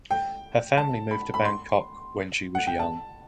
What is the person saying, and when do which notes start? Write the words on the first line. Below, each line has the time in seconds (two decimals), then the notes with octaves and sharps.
Her family moved to Bangkok when she was young.
0.11 G5
0.77 A5
1.11 B5
1.34 B5
1.45 C6
2.55 F#5
2.67 G5
2.79 A5